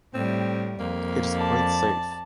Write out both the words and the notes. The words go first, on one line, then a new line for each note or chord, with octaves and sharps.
It is quite safe.
A2 G3 C4
F2 A#3
D5 A5